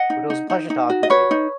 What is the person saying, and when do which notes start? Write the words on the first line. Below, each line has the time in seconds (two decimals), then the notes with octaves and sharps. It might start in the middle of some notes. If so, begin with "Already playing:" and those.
but it was a pleasure talking to you.
Already playing: D#5 F#5
0.10 D#4
0.30 D#4
0.50 D#4
0.70 D#4
0.90 F#4
1.03 D#5
1.10 B4 C#5
1.31 D#4